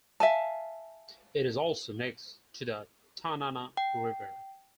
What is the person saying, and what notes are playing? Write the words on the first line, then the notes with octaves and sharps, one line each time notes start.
It is also next to the Tanana River.
E5 F5 G#5 A5
G5